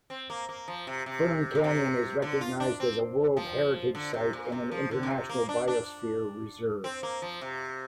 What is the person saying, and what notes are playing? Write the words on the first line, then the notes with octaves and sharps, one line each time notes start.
Fern Canyon is recognized as a World Heritage site and an International Biosphere Reserve.
C4
A#3
A#3
F3
C3
C3
A#2
C3
D3
F4
D4
C4
F3
D3
C3
A#2
C3
F3
D3
A#2
C3
A#3
D4
D4
C4
A#3
F3
C3